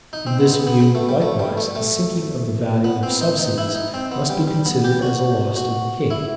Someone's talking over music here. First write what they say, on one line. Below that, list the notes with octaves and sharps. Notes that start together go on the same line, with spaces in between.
In this view, likewise, the sinking of the value of subsidies must be considered as a loss to the king.
D#4
C4
B3
B3
B3
B3
A3
G3
A3
G3
A3
A3
B3
C4
D#4
D#4
E4
D#4
C4
B3
G3
G3
B3
G4
F#4
F#4
E4